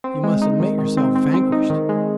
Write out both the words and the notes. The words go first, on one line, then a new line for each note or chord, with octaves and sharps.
"You must admit yourself vanquished!"
C4
G#3
D#4
D#3
D#3
C4
C4
C4
D#4
D#3
G#3